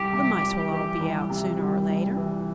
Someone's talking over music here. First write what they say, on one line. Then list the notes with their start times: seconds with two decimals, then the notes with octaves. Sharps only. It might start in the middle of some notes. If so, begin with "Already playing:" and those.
The Mice will all be out sooner or later.
Already playing: C2 G4
0.13 C3
0.42 C2
0.71 E3
1.01 C2
1.30 C3
1.59 G3
1.88 C2
2.17 E3